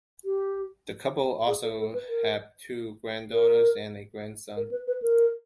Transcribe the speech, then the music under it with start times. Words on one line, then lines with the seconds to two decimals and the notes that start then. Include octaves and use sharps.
The couple also have two granddaughters and a grandson.
0.25 G4
1.47 G#4
1.63 A4
1.79 A4
1.93 B4
2.09 A#4
3.32 A#4
4.56 A#4
4.71 B4
4.87 B4
5.02 A#4